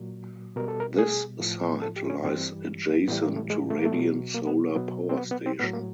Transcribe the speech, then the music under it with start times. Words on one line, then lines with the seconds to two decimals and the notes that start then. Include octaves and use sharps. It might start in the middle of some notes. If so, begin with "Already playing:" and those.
This site lies adjacent to Radiant Solar Power Station.
Already playing: A#2 F#3
0.56 B2 G3 A#4
0.68 A4
0.80 A#4
0.98 G#4
1.40 A2 F3
1.82 A4
1.96 G4
2.10 C#4
2.24 G2 E3 G3 C4
3.08 A2 E3 G3 B3
3.22 A#3
3.36 A3
3.50 G#3
3.70 A3
3.78 A#3
3.85 A3
3.92 B2 F#3
4.34 A#3
4.47 B3
4.75 B2 F#3 B3
5.09 C4
5.17 B3
5.31 B3
5.46 C4
5.59 A2 F#3 B3
5.73 A#3